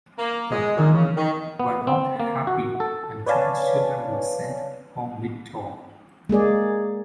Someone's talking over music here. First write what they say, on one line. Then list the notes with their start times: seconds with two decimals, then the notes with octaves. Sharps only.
The Who were not happy and John's Children were sent home mid-tour.
0.18 A#3
0.51 G#3
0.76 A#2
0.93 C#3
1.16 D#3
1.60 B3
1.87 C4
2.20 A#3
2.47 F#4
2.80 A4
3.26 B4 C#5 D5 F5 G#5 A5
6.29 G#3 A#3 G#4 D5